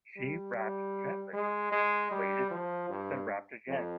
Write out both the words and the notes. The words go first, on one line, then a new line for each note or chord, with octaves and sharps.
She rapped gently, waited, then rapped again.
G3
G3
G#3
G#3
G3
F3
G2
F2